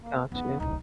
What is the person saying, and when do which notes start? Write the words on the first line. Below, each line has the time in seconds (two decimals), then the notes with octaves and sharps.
Got you.
0.02 A#3
0.32 E2 B3 D#4
0.60 D1 C2 D#4